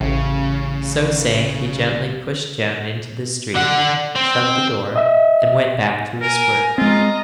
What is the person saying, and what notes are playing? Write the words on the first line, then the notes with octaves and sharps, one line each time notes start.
So saying, he gently pushed Jem into the street, shut the door, and went back to his work.
A1 C#3
D3 F#5
C4
D#5 E5
A#4 G#5
G#3 C4 F4 D#5 A#5